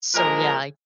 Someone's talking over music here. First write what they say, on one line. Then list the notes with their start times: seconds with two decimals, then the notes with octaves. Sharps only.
So, yeah I
0.14 A#2 F3 G#3 A#4